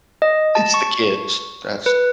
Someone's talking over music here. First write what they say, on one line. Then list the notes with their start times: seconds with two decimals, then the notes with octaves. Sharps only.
It's the kids. That's
0.22 D#5
0.55 A5
0.74 C#6
1.86 B4